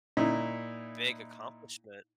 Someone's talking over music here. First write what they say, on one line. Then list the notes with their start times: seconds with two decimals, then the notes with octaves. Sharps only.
big accomplishment.
0.17 A#2 D#4 E4